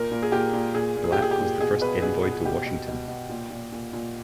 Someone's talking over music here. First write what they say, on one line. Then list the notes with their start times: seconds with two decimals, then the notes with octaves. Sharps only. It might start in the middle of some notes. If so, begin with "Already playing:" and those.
Blak was the first envoy to Washington.
Already playing: A#2 A#4
0.11 A#2
0.23 G#4
0.32 A#2 G4
0.53 A#2
0.75 A#2 G#4
0.97 A#2
1.04 G#4
1.12 G4
1.18 A#2 G#4
1.31 G4
1.38 A#2
1.61 B2 G#4
1.81 B2 B4
2.02 B2 G#4
2.23 B2 G#4
2.45 B2 G4
2.66 B2
2.88 B2
3.08 B2
3.29 A#2
3.50 A#2
3.72 A#2
3.93 A#2